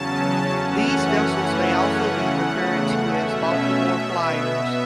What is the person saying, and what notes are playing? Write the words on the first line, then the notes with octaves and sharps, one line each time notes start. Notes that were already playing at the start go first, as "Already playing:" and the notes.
These vessels may also be referred to as Baltimore Flyers.
Already playing: E2 C#3 F#3 C#4 A5
F#2 E3 A3 C#4 F#5
F#2 C#3 E3 A3 C#4
E2 C#3 A3
B2 A3 C#4 E5
B2 B3